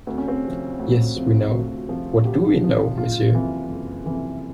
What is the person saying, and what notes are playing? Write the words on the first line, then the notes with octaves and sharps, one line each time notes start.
Yes, we know — what do we know, monsieur?
D2 C4
C#4
C4
C3 F3
D2
C3 F3
D2 F#4
C3 F3
D2 G4
C3 F3
F#1 F4
F2 C3 E3
F#1
F2 C3 E3